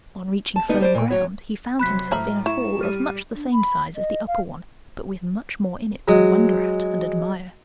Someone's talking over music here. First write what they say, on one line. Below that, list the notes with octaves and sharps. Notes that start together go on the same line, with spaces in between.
On reaching firm ground he found himself in a hall of much the same size as the upper one, but with much more in it to wonder at and admire.
A5
D2 B2 B3 D#4 D5
G3 C5 D5
A#2 G5
F#3 F#4 C#5
C3 F#3 C5 B5 F#6 B6
A2 A3 E5 A#5 B5 F6
E4 C#6 E7
G3 G4 F6 D#7
D4
B5
D#5
F5
F#3 G#3